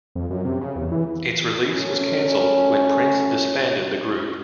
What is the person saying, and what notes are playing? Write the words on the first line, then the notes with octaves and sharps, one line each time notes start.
Its release was canceled when Prince disbanded the group.
F2
F#2
C3
C#3
E2
E3
F#2 A3 C#4